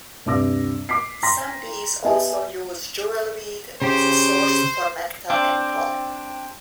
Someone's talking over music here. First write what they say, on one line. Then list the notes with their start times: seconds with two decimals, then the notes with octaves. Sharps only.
Some bees also use jewelweed as a source for nectar and pollen.
0.26 D2 G2 C3 D6 E6 A#6
0.89 D6 B6 C7
1.23 G5 A#5 C6 A#6 B6
2.05 B3 G4 D#5 E5 G#5 A5
3.82 C#3 G4 C5
5.30 C4 D4